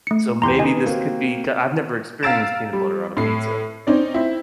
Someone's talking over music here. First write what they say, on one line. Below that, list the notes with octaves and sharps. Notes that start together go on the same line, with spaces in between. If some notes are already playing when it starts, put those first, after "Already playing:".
so maybe this could be c I've never experienced peanut butter on a pizza.
A3 C#7
E2 G4 A#5 C6 G6
D#3 B3 D#5 G#5
A#3 C4 F#4
F5 A#5 E6 A6 D7 E7
G3
A2 C7
C4 C#4 D#4 D5
C4 E4